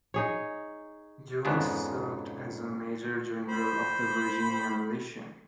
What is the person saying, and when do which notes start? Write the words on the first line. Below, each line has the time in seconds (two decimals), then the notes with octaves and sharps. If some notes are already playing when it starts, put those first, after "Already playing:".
Jones served as a major general of the Virginia militia.
0.14 D#4 G#4 C#5
1.45 F2 G#2 C#3 G#3 B3 D4
3.48 C5 B5